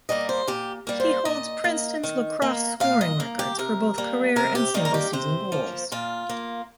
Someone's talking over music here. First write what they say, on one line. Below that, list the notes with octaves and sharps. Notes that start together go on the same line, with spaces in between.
He holds Princeton's lacrosse scoring records for both career and single-season goals.
G3 A#3 D#5
C5
A#2 G4
G3 A#3
C5
A#2 D#5
A#3
D#3
A#3
A#2 F5
D#5
A#3
G4
C3 A#4
G3 A#3
C3 A#4
G4
D#3 G3 A#3 D#4
A#4
G4
C3 C5
F3 A#3
A#2 F4
A#3